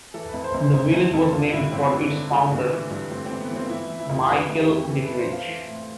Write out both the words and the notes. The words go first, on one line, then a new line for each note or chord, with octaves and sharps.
The village was named for its founder, Michael Dieterich.
E3 A4
F2 B4
C5
F2 C5
F2 C5
F2
F2 A4
D3 F4
G2 E4
G2 C4
D3
D3
D3
G2
E3
G2
G2 C4
E3 C4
B3
E3 C4
F4
E3 E4
E3
E4
F2 F4 G4
F2 B4
F2
G4
F2
G4
E3 A4
B4
E3
C5
E3 F5
E3
A2